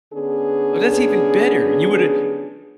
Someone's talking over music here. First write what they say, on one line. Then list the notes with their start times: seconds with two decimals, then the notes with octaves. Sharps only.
Oh, that's even better. You woulda
0.14 D3 B3 C#4 D4 G#4